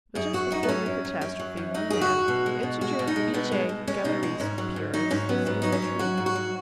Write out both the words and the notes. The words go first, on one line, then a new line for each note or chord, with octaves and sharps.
But just before the catastrophe one man, integer vitae scelerisque purus, sees the truth.
F#2 G#4
F#3 F#4
F#2 D#4
B3
F#3 C#4
F#2
F#3
F#2 C#4
F#3
F#2
F#3 D#4
F#2 G#4
F#4
F#3
B2
G#3
B2
G#3 F#4
B2
D#4
G#3
B2 B3
G#3
B2
G#3 C#4
B2 D#4
G#3 C#4
G#2 C#4
F#3
G#2
F#3 D#4
G#2 C#4
F#3 B3
G#2 B3
F#3 D#4
C#4
G#2
F#3 F#4
G#2
F#4
F#3